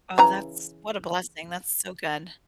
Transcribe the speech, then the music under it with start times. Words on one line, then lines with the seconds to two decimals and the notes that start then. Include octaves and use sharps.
Oh, that's what a blessing, that's so good.
0.18 C#3 E3 A#5